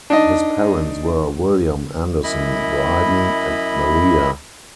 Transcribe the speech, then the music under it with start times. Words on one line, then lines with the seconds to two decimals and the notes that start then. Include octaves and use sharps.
His parents were William Anderson Bryden and Maria.
0.10 D4 D#4 D#5
2.23 F#2 E4 D#5 B5